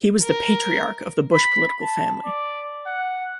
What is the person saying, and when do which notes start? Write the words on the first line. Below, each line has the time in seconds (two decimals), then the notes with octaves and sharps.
He was the patriarch of the Bush political family.
0.23 A#4
1.33 B5
1.82 A5
2.26 D5
2.87 F#5